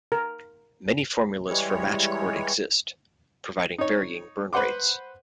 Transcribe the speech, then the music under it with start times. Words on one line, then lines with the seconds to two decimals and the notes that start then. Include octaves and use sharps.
Many formulas for match cord exist, providing varying burn rates.
0.12 A#4
1.48 E3 G3 G#3 C#5
3.78 D#4 C#5
4.53 B4 C5 F#5 C6 D6